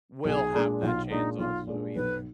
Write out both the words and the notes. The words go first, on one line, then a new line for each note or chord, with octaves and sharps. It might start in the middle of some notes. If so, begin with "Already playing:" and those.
will have that chance also, either.
B1 G#4
A#2 G#3 D4
B1 F4
A#2 G#3 D4 D#4
B1 F4
A#2 G#3 D4
B1 B4